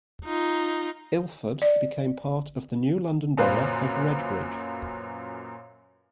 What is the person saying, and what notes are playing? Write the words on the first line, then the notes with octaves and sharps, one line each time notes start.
Ilford became part of the new London Borough of Redbridge.
D#4 F4
D5
F#2 A#2 B4 C5 F5